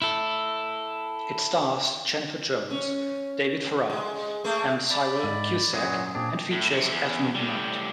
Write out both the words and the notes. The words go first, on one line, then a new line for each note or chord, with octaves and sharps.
It stars Jennifer Jones, David Farrar and Cyril Cusack and features Esmond Knight.
E4 A4
C#4
G#3
A3 A#3 G#4
D5 B5
G#2
F#2 A#2 F#3 G#4
A#2 C4 D4 G#4
A2
F#2 C3
E2
A2 G3